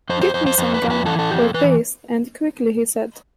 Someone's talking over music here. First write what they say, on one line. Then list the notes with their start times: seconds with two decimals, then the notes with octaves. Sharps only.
"Get me some gum or paste, and quickly," he said.
0.10 F2 C5
0.22 C5
0.34 F2 C5
0.46 C5
0.58 F2 C5
0.74 B4
0.82 F2
0.90 B4
1.06 E3 A4
1.19 A4
1.30 F2 G4
1.42 A4
1.54 E3 B4